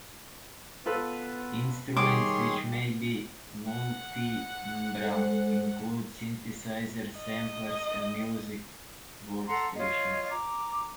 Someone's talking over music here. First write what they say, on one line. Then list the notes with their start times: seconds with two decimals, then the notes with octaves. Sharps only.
Instruments which may be multitimbral include synthesizers, samplers, and music workstations.
0.86 B3 F4 A4 B4
1.97 D#3 G3 G#4 C#5 C6 D6
3.67 F#5
5.00 G#3 A4 C5
7.18 D#5
9.47 A4 F#5 A#5 C6
9.76 F4 C#5 D#5
10.31 A#5 D6